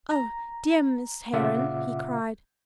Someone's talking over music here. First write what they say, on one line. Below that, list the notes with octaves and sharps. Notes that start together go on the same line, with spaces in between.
"Oh, dear Miss Heron!" he cried.
A#5
A#2 C#3 F4 E5 F#5 D6